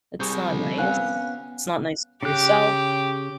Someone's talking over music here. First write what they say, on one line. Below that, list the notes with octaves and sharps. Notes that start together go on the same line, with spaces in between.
It's not nice. It's not nice to yourself.
G3 C4 G#4 C#6 G6
D3 F3
B3 C#4 F5 G#5 F#6
C#3 G4 F#6